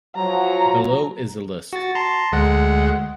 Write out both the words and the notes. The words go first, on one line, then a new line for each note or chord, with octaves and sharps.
Below is a list.
F3 F#3 A#5
F#4 A6
A5 A#5 C6
D2 G#3 F#5